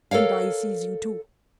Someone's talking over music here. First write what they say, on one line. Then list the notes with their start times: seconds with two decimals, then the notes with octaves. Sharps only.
And I sees you too.
0.11 A4 A#4 C#5 F5